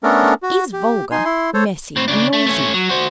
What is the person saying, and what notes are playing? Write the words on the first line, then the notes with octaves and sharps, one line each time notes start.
It is vulgar, messy, and noisy.
A3 B3 C#4 D4 A4 A#4
F#4
G4
D#4 G#5 C6
E4 C6
A4 C5 C#5
A2 C4
C#3 D4
A3
A3 C#4
F#3
F#4 C5